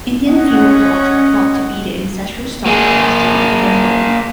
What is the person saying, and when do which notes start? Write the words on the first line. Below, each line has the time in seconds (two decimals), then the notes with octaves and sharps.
Indian feral dogs are thought to be the ancestral stock of Australian Dingo.
0.28 C#4 D#5 F#5
2.66 A#3 G#4